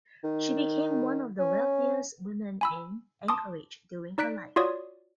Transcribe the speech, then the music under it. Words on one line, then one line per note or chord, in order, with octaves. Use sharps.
She became one of the wealthiest women in Anchorage during her life.
D#3
C#4
G#5 B5 E6
A5 C6 D6 D#6
D#4 D5 F#6 B6 D7
F4 F#4 C#5 D5 D#6